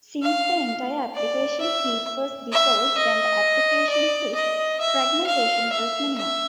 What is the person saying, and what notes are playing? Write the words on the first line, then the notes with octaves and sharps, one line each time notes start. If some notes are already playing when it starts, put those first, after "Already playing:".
Since the entire application heap was dissolved when the application quit, fragmentation was minimized.
F5
D5
E5
E5
D#5
D5
D#5
E5
F5
E5
E5